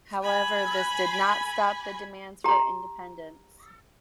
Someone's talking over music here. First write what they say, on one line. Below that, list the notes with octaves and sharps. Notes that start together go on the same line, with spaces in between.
However, this did not stop the demands for independence.
G#5 B5
G4 A#5